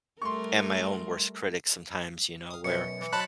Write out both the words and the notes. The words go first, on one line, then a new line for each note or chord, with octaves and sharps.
am my own worst critic sometimes, you know, where,
G3 A3 A#4 C6 C#6
F5 D#6
F#2 B2 C#7
E3
F#3 D#4 C5 A5 B5 F#6